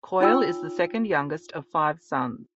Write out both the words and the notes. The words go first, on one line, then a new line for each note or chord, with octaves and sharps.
Coyle is the second youngest of five sons.
D#4 F4 C#5 G5 G#5 E6